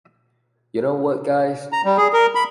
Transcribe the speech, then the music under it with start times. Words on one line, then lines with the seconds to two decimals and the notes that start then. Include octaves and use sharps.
You know what, guys?
1.73 A#5
1.85 G3
1.98 G#4
2.13 A#4
2.35 B5